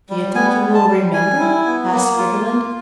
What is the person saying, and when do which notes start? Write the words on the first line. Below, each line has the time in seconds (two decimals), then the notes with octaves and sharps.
"Do you think you will remember?" asked Briggerland.
0.09 G3
0.35 B3 G#5
0.61 G3
0.74 A5
0.87 G3
1.13 G3 G#5
1.39 E4
1.66 B3
1.92 A#3
2.17 F4
2.44 A#3